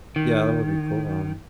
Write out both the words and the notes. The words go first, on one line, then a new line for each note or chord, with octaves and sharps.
Yeah, that would be cool, um,
D#3